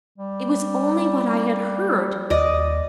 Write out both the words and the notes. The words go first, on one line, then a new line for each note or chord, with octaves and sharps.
It was only what I had heard.
G3
D#2 D5 D#5